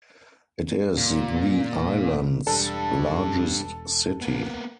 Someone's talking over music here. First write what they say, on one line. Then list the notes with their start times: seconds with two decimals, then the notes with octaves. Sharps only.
It is the island's largest city.
0.97 A#2
2.47 E1 G3 D4 A4
4.21 A#3 B3